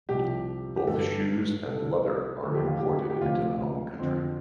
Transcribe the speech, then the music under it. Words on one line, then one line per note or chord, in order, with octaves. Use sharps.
Both shoes and leather are imported into the home country.
C2 C3 F3 G4
G4
G1 G2 G3 A4
C2 C3 G3 A4
D2 D3 F3 A4
G4
F4
G4
G4
D2 C3 F3 F4
F2 D3 F3 C4